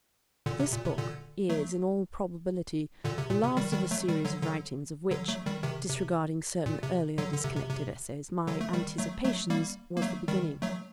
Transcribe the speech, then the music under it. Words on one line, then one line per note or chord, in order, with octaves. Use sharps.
This book is in all probability the last of a series of writings, of which--disregarding certain earlier disconnected essays--my Anticipations was the beginning.
A#2 D3
C3
A#2
C3
A#2 D3
F#3 A3
A#2 D3
C3
A#2
C3
D#3 G3
D#3 G3
F#3 A3
D#3 G3
D3 F#3
D3 F#3
D3 F#3
F#3 A3
D#3 G3
C3 D#3
C3
A#2
C3
D3 F#3
D3
C3
C3
C3
D3 F#3
A3
D#3 G3
F#3 A3
F#3 A3
G3 A#3
A#3
F#3 A3
D#3 G3
F#3 A3